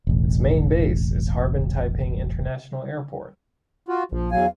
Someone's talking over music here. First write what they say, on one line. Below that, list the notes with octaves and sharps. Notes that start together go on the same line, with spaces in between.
Its main base is Harbin Taiping International Airport.
E1 A1
F4 F#4
A#1 F3
E2 F#3 F5 G#5